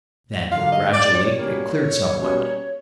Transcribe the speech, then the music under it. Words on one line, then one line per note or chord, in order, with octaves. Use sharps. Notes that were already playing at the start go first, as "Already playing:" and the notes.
Then, gradually, it cleared somewhat.
D3 F#3 A#3 F5
D#5
D5
C#5
B2 G3 A#3 C#4
B2 G3 A#3 C#4